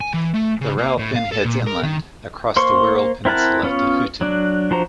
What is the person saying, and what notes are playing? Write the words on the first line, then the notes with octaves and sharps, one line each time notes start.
The route then heads inland, across the Wirral peninsula, to Hooton.
G#5
E3
A3
C#3
A#3
A2
F5
A4
A#2
A#4
D#3
A#3 C5 C6 C#6
C4 E4 A#4 F#5 A5
B3 C#4 F4 C#5
F#3 D4
F3 D4 F#4 C5 A#5